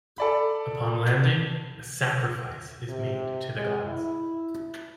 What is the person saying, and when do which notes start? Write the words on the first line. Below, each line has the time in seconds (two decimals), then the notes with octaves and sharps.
Upon landing, a sacrifice is made to the gods.
0.18 A4 D5 B5
2.89 C3
3.56 G#3
3.87 E4